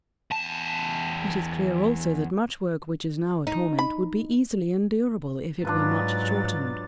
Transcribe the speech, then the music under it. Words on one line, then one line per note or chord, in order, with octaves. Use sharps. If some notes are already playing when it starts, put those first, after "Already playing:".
It is clear also that much work which is now a torment, would be easily endurable if it were much shortened.
E2 A5
D#4
B5
G#2 F#3 D4 F4 B4 A6